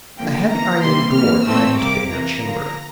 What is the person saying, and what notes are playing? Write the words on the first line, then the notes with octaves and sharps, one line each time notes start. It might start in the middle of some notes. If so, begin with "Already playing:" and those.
A heavy iron door led into the inner chamber.
D3 F3 A#3 G5
E3 A#3 A#5
C3 E3 G3 A#3 C6
E3 A#3 F6
A2 E3 A3 C4 E6
C3 G3 A#3 D6
C3 E3 A#3 A#5
D3 F3 A#3